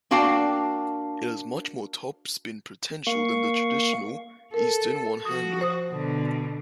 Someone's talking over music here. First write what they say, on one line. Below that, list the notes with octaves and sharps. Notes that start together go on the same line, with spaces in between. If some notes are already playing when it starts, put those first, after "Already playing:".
It has much more topspin potential than the traditional Eastern one-hander.
A#3 D4 F#4 F5 G5 A5
A#3 F5 C#6
A4 A#4
F3 F#4 D#6
C5 D#6
B2 D3